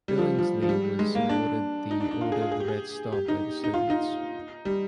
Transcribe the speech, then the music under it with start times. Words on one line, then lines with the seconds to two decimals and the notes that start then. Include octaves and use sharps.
Billingslea was awarded the Order of the Red Star by the Soviets.
0.08 G3
0.18 F3
0.39 F3
0.63 F3
0.69 G3
0.99 G#3
1.15 A#3
1.29 D4
1.91 D#4
2.00 D4
2.11 D4
2.21 F4
2.32 G#4
2.42 F4
2.52 G#4
2.60 G4
2.68 G#4
3.12 G4
3.28 D#4
3.64 D#4
3.74 F4
3.90 D#4
4.65 G3